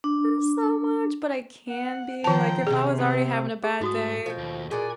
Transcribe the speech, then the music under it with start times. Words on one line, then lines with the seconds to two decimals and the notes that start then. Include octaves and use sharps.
so, much, but I can be, like, if I was already having a bad day,
0.04 D4
1.68 F#5
2.24 D#3 F3 G5 A5 A#5
2.67 C3 G#4
2.98 C4
3.64 G#4
3.81 G#2 A3 E4 F#4 D#6
4.26 B2 F3 G5
4.38 D#2
4.71 A#2 G#4 D5 F#5 G#5